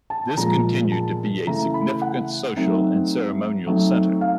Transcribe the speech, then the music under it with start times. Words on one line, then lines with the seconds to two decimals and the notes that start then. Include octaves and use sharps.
This continued to be a significant social and ceremonial center.
0.10 A5
0.37 A#2 F3 G#3 A#5
0.92 A5
1.47 C#3 E3 A3 A#5
1.74 B5
2.02 F#5
2.56 F#3 A3 C4 D#4
3.67 F#3 A3 C4 D#4
4.21 F5